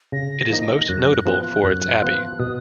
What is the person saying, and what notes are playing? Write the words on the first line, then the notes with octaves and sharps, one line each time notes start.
It is most notable for its abbey.
C#3 A#6
F3 A#3 D#4 A#6
F#2 F#6
F3 B3 F4
F#2 F#6
F3 B3 F4
B2 D#6